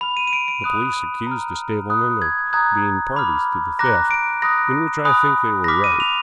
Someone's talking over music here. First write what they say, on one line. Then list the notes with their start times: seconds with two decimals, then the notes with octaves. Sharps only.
The police accused the stablemen of being parties to the theft, in which I think they were right.
0.01 B5 F6 F7
0.17 D#7
0.27 D#7
0.33 D7
0.48 D7
0.64 B5 D#6 F#6
1.27 A#5 F6
1.90 B5 D#6 F#6
2.22 G#6
2.53 A#5 D#6 F#6 G#6
3.16 B5 D6 F6
3.79 A#5 D6 F#6 A#6
4.11 D7
4.42 B5 D#6 F#6 A#6
5.05 G#5 B5 D#6 F#6
5.64 A#6
5.68 B5 D6 F6 B6
5.84 D#7
6.00 F7